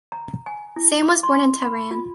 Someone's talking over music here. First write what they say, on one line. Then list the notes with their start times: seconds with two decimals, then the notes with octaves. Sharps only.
Sam was born in Tehran.
0.12 A#5
0.46 G#5
0.76 E4
1.03 D6
1.23 C6
1.63 B5
1.91 F4